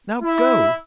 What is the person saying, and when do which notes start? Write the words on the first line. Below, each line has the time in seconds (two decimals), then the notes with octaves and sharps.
Now go!
0.22 E4